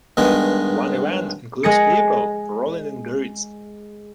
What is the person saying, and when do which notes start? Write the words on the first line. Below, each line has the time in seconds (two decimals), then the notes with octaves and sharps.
One event includes people rolling in grits.
0.17 G2 D#3 G#3 B3 D#5
1.63 G#3 G#4 A#6 C#7